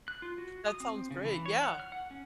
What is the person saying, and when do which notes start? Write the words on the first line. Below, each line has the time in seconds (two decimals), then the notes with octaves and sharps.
That sounds great, yeah.
0.08 F#6
0.22 F4
0.38 F#4
0.68 D#6
0.80 C4
1.11 C#3
1.25 E3
1.46 C#5
1.61 F#5
1.80 F6
1.92 F#5
2.11 C#4